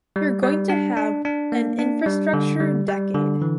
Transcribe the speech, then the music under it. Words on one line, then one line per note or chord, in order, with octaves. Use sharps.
We’re going to have an infrastructure decade.
G3
G3
D4
D4
D4
A#3
D4
G3
D3
G3
G3
D3
E3